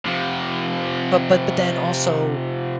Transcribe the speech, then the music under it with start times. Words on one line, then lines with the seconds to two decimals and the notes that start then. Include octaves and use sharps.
but but but then also
0.05 C3 F3